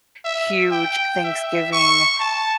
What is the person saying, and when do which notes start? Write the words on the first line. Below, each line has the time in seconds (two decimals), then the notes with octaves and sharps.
huge Thanksgiving,
0.25 E5
0.72 G5
1.24 E5
1.72 C#6
2.20 A5